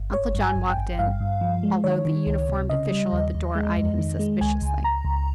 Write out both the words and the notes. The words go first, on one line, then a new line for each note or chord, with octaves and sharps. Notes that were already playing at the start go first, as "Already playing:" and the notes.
Uncle John walked in, although the uniformed official at the door eyed him suspiciously.
Already playing: G1
G#1 C#5
G2
G#5
G#1
G5
G#1
G2 F5
G2
F3
G#3
D#3 C#5
D#3
C#2
C3
C#3 D#5
G3
D#2
D#2
G#3
F2
D#3
G#3
C#2 G#5
C#2
C#2 A#5
C#2